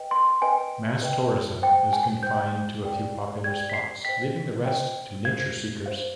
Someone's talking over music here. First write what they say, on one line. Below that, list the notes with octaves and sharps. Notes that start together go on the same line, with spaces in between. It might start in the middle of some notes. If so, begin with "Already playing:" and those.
Mass tourism is confined to a few popular spots, leaving the rest to nature-seekers.
Already playing: B4 D#5 G5
C6
B4 D#5 G5 G#5
B4 D#5 G5
C5 G5
G#5
C5 G5 G6
G4 D5 G5
G4 D5 G5 G#6
B6
C7
C5 D#5 G5 B6
C5 D#5 G5
C5 F5 G#6
C5 F5